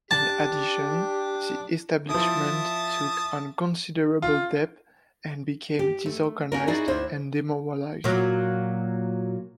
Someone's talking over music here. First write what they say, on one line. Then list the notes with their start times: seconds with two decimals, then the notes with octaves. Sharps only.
In addition, the establishment took on considerable debt and became disorganized and demoralized.
0.11 D4 G4 A5 D6
2.10 F3 E4 E5 A5 D#6
4.22 F4
5.79 G4
6.06 A3
6.52 C#4 F#4 A#4
6.67 D#4 E4 F#4 G#4 D5
6.88 D2 E4 C5
8.04 A#2 F#3